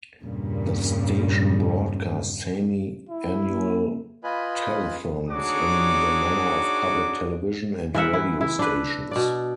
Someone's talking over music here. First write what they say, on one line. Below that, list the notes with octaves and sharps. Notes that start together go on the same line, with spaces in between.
The station broadcast semi-annual telethons, in the manner of public television and radio stations.
E2 G2 A#2 C#3 G3
E4
A#3
F4 B4 D#5 G#5 B5
D4 D#4 F#4 G#4 C#5 D6
E3 A#4 E5 F#5
E4
E4
D4 B4
B2 D5